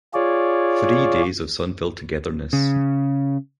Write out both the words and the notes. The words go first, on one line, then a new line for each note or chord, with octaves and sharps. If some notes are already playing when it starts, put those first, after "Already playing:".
Three days of sun-filled togetherness.
F4 G#4 C#5 D5
C#3